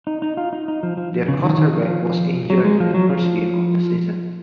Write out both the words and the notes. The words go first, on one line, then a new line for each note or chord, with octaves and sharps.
Their quarterback was injured in the first game of the season.
D#4
D#4
F4
D#4
D#4
F3
F3
C#3
D#3
D#3
F3
F#3
G#3
F3
F#3
F3